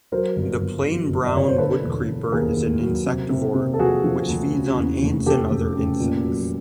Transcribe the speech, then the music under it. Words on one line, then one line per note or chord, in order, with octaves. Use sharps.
The plain-brown woodcreeper is an insectivore which feeds on ants and other insects.
F#3 A#4 C5
G1
G1
F#3
G1
D5
G1 C#5
C5
D3 A4 B4
E1
E1
D#2 G#4 A#4
D#2
F#3
C3
C3
C3
A4
F3 F#4 G#4
F3
D2
C#3
E2
F1
F1 G4 A4
F1
C#3
A#2
F#3